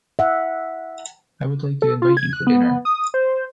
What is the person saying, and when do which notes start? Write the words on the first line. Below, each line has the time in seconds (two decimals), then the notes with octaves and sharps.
I would like to invite you for dinner.
0.19 E5 F#5
1.82 A4
2.02 F4
2.17 G#6
2.33 F#6
2.47 B3
2.85 D#6
3.14 C5